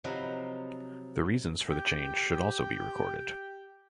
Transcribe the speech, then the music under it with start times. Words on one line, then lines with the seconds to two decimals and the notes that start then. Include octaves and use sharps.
The reasons for the change should also be recorded.
0.04 C3 F3 F#3 D#4 E4 B4
1.68 G4 G5